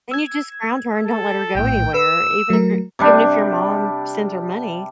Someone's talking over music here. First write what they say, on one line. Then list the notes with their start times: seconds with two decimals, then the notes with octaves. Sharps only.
And you just ground her and don't let her go anywhere. Even if your even if your mom sends her money,
0.11 E6 G#6
1.05 A4
1.55 A#1 A2 G5
1.94 B4 E6
2.50 F#3 A3 A#4
2.99 C3 G3 D4